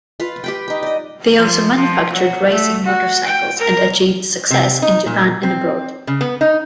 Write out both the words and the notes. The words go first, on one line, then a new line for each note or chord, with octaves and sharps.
They also manufactured racing motorcycles and achieved success in Japan and abroad.
F4 B4 F5
G4 B4 G5
D#4 G5
D5 D#5
F3
F3
F#3
A3
F#4
G5
A#4
C3
D#4
A#2
C4
C#3
B3
D#4